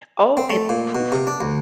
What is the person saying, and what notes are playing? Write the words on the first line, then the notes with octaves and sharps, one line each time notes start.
Oh, and, oof.
C4
A3
A#2
B2
C3
D4
D2